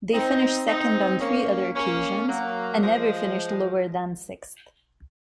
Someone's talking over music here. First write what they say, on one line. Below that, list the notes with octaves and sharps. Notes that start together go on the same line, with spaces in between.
They finished second on three other occasions, and never finished lower than sixth.
C4 D#4
C4 D#4
A#3 C#4
A#3 C#4
F#3 A#3
F3 G#3